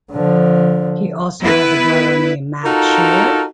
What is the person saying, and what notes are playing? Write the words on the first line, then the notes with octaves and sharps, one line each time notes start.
He also has a brother named Matt Shearer.
D3 F3
B3 E4 B4
D#4 F4 F#4 A4 A#4